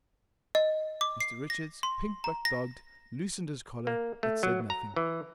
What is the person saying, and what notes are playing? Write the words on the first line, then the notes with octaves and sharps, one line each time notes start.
Mr Richards, pink but dogged, loosened his collar, but said nothing.
D#5
D6
C7
A#6
C6
A#5
A#6
A#3
A3
F#3
A#5
E3